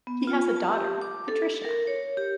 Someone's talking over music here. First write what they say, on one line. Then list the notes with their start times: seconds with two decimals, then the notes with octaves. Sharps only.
He has a daughter, Patricia.
0.07 B3
0.27 F4
0.56 A5
0.74 G4
1.01 D6
1.28 A4
1.64 A#4
1.87 C#5
2.17 G4